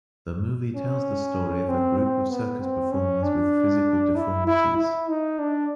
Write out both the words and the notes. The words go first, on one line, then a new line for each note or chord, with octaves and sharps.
The movie tells the story of a group of circus performers with physical deformities.
C#4
C4
C4
B3
C4
C#4
D4
E4
E4
E4
D#4
D4